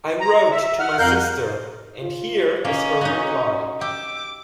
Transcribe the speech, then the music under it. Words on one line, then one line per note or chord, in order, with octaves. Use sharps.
I wrote to my sister, and here is her reply.
A#5
E5
F#5 F6
F2 A#4 F5 F#6 G6
F4
A#3 C#4 D#5
D#4 F#4
G4 D6 E6